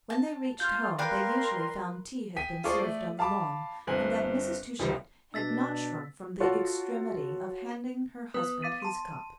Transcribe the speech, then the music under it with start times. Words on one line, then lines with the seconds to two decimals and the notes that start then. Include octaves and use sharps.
When they reached home they usually found tea had been served on the lawn and that Mrs. Touchett had not shrunk from the extremity of handing her husband his cup.
0.10 A5
0.60 F4 F6 G6
0.99 A#4 B4 D5 F5 G5 C6
2.36 G5 G#5 B6 D#7
2.64 F4 G#4 A4 C5 D5 C#6
2.79 A3 D5
3.19 F5 A5 B5 D6
3.87 G1 G2 C4 G#5 F#7
4.79 C#2 F#2 D#3 F3 G3
5.34 B2 D4 E6 A6 B6
6.40 F4 F#4 A4 C#5
8.34 B3 B4 D#6
8.62 F5 D6 A6 B6 D#7
8.80 A5 C6 D#7